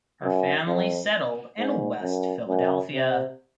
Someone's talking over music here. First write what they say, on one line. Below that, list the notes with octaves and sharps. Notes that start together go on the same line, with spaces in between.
Her family settled in West Philadelphia.
F#2
F2
G#2
F#2
F#2
C3